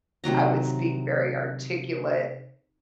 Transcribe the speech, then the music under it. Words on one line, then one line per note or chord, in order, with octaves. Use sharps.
I would speak very articulate,
C3 D#3 F#3 A#5